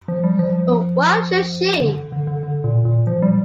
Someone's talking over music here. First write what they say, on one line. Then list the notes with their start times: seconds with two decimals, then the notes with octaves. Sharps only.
But why should she?
0.08 F3
0.24 G3
0.39 F3
1.81 D3
2.12 D3
2.27 D3
2.43 D3
2.64 A#2
2.85 A#2
3.07 F3
3.22 G3